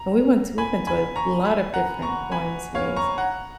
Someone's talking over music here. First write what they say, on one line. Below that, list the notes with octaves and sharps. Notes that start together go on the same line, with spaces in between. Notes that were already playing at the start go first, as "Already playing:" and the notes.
And we went to we went to a lot of different YMCAs.
Already playing: A#5
G#5 B5
G#5 B5
A#5 C#6
G#5 B5
F#5 A#5
A#5 C#6
G#5 B5
C#5 F5
A#5 C#6
F#5 A#5